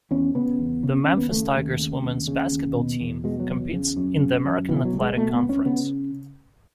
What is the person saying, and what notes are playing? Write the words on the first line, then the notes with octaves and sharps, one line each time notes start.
The Memphis Tigers women's basketball team competes in the American Athletic Conference.
E2 C#4
C#3 B3
E2
C#3
D#2 C#4
B3
C#3 A3
D#2
C#3
D#2
C#3
D#2
B2
E2
B2 G#3
F#3
E2
C#3
F#2
C#3
F#2
B2 E3
F#3
C#2
G#3
B2 A3
B3
C#2
C#4
C#3 B3